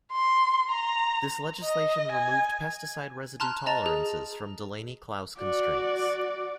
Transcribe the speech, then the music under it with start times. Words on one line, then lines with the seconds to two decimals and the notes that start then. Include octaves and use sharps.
This legislation removed pesticide residue tolerances from Delaney Clause constraints.
0.12 C6
0.71 A#5
1.64 D#5
2.12 G#5
3.40 A5 A#5 C6 F6 F#6
3.66 D#5 A5 A#5 A6
3.86 G#4
5.39 F#4 D5